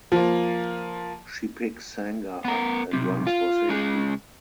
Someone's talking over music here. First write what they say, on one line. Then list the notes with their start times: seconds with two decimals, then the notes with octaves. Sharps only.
She picks Sangha up and runs for safety.
0.12 F3 A#3
2.45 B3 A#4
2.93 B1 C3
3.27 F4
3.70 C#3 G#3